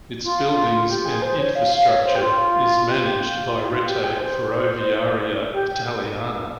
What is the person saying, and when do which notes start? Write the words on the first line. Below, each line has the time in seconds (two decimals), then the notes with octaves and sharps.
Its buildings and infrastructure is managed by Rete Ferroviaria Italiana.
0.23 F4
0.89 G4
1.05 G#4
1.22 C5
1.38 C#5
1.55 F5
1.71 F5
1.88 C#5
2.05 C5
2.15 G4
2.21 F4
2.87 G4
3.20 F4
3.54 F4
3.64 G4
3.70 F4
3.86 G4
4.03 G#4
4.20 C5
5.52 G4